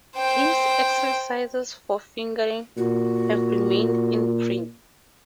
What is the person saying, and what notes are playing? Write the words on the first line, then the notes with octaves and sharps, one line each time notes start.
His "Exercises for Fingering" have remained in print.
C5 G5
A#2 F#4